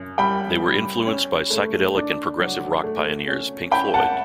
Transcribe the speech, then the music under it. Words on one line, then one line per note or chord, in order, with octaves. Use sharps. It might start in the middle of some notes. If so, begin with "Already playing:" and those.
They were influenced by psychedelic and progressive rock pioneers Pink Floyd.
Already playing: F#2
G3 G5 B5
G3
C#4
A3
D4
F#3
A3
C#4
C#4 G5 B5
F#5 A5